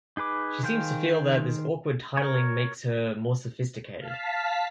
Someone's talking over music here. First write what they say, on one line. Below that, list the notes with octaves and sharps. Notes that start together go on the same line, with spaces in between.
She seems to feel that this awkward titling makes her more sophisticated.
D#4 G#4 B4 D6
D#3 G#4 C5 F5 G5
A#4 C#5
F5 A5 B6